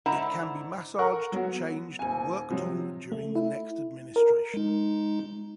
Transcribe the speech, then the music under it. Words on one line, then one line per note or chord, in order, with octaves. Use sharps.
It can be massaged, changed, worked on during the next administration.
G#2 D3 E4 F#5 A#5
A4 A#4 F#5 C#6
F#3 B3 F#4
D#1 G#5
C3 F3 F#3
A3
E4
A#4
G#3 D#4